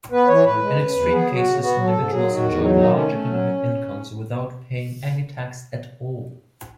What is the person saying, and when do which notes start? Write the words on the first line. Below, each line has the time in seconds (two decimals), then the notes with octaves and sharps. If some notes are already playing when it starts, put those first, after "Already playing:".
In extreme cases, individuals enjoyed large economic incomes without paying any tax at all.
0.12 B3 B4
0.27 E3 C#5
0.44 A2 B4
0.61 G#3
0.78 C#3
0.93 E2
1.10 B3 G#4
1.27 F#3
1.34 F#4
1.44 C#3
1.60 B3 F#4
1.76 F#3
1.84 A4
1.93 G#2
2.09 F#3 G#4
2.25 D#3
2.34 F#4
2.42 E2
2.59 F#3 D#4
2.75 D#3 D#4
2.91 A3 C#4
3.08 A3
3.25 F#3